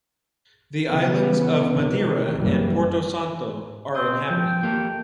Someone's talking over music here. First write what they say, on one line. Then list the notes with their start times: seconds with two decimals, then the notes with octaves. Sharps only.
The islands of Madeira and Porto Santo are inhabited.
0.90 C#3 E3 B3
1.75 C3 D#3 E3
2.38 F#1 F#2 E3 G3
3.95 C4 D#5
4.30 F3 G5
4.63 A#3 G4 A4